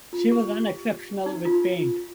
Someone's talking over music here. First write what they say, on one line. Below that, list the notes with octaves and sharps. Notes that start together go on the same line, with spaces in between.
She was unexceptional with paint.
F4
G4
D#4
F4